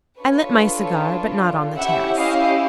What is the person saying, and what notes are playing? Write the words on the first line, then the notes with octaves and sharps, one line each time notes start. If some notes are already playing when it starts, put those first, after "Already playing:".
I lit my cigar, but not on the terrace.
D4 F4 A4 B4 C#5
C#4 E4 G4 E5 F#5
D#5 F5